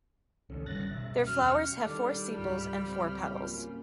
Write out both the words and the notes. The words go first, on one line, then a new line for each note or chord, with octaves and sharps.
Their flowers have four sepals and four petals.
C#2 D3 D#3 C#4 A4
G1 G3 F#6 A6 A#6
B2 C4 C#4 E5
E2 F#3 F6
F5 G5 C#6
D#3 G3 D4 A4 D5
C#2 G#2 F4 B5 F6
C4
F#3 A#3 C#4 F4